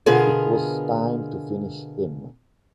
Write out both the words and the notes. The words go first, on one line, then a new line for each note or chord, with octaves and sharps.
It was time to finish him.
B2 D3 B3 F4 G#4 A#4